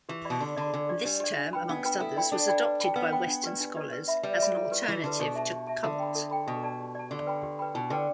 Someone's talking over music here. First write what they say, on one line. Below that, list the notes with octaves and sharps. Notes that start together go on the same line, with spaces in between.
This term, amongst others, was adopted by Western scholars as an alternative to "cult".
E3 G4
B2 D5 B5
D3 G4
D3 D5 B5
D3 D4
G4 D5
G3 D4
G4 D5
D4
B4 G5 B5
B3 D4
B4 G5 B5
E4 A4
D5 G5 B5
D4 A4
D5 G5 B5
B4
G5 B5
B3 B4
G5 B5
D4
G4 B4 D5
D4
G4 B4 D5
B4
E5 B5
G3 B4
E5 B5
E4
G4 B4
E3 E4
D3 G4 B4
B2 G4
E5 A5
G4
E5 A5
D3 A4
G5 B5
A4
G5 B5
B2 G4
D5 A5
G4
D5 A5
D3 G4
B4 G5 B5
G4
B4 G5 B5
B2 E4
D3 G4 B4 G5